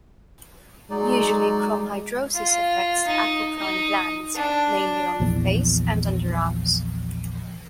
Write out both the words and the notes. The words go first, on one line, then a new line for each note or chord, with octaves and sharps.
Usually chromhidrosis affects the apocrine glands, mainly on the face and underarms.
F#3 G#3 D#4 D5
F4
D#4
D#4
D4
A#1 E2